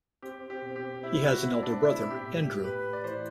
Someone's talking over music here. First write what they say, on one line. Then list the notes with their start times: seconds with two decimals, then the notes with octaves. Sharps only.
He has an elder brother, Andrew.
0.22 C4 G4
0.50 G4
0.62 B2
0.76 G4
1.03 C4 E4
1.23 F#4
1.43 B2 E4
1.63 D4
1.83 A2 E4
2.11 G4
2.23 A2
2.37 G4
2.64 A2 B4
2.93 D5
3.04 E3 C5